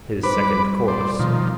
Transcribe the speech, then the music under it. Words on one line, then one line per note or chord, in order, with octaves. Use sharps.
His second course.
D#4 B4 C5 B5 D6
G3
C5 D5
B2 D#3 F3